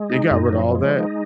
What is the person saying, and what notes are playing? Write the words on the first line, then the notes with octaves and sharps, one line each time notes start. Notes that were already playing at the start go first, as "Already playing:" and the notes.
They got rid of all that,
Already playing: G#3
D#4
F#2
F3
G#3
D#4